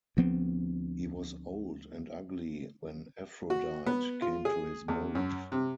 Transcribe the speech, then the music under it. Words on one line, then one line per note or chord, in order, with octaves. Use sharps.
He was old and ugly when Aphrodite came to his boat.
D2 F3 B3 C4
F#4
B3
F4
G#4
E2
F#2
C3